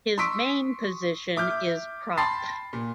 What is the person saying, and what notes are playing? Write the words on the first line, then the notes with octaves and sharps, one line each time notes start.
His main position is prop.
C6 C#6 D#6 E6 B6 D7
E5 D6 F6 G6
G5 A5 B5 C6 A6 C7
A#2